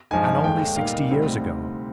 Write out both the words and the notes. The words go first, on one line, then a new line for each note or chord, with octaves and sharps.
And only sixty years ago!
G2 F3 G#3 D#4 G#5
D#2 D3 G#3 G5
A#2 G3 A#3 D#4 F5
D2 C3 G3 C4 D#4